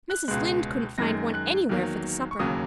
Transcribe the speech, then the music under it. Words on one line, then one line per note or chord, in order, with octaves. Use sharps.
Mrs. Lynde couldn't find one anywhere for the supper.
F#6
C#2 B2 G#3 F#6
F#2 D#3 G#3 A#6
F#6
E2 D#3 F#3 A#3
C#6
E1 D#2 C#3 F#3 A#3 D#6